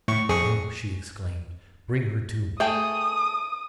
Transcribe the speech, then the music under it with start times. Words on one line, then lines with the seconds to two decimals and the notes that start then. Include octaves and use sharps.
"Oh!" she exclaimed, "bring her to me!"
0.08 A2 C#6
0.29 F2 G#4 C#6
2.60 A3 G#4 G5 D#6